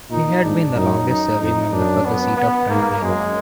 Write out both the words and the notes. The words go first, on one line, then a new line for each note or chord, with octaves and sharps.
He had been the longest serving member for the seat of Franklin.
A#2 D#4
G#2 D4
F#2 D#4
D#4
F2 D#4
F#2 D4
B3
B3
G#2 A#3
F#2 G#3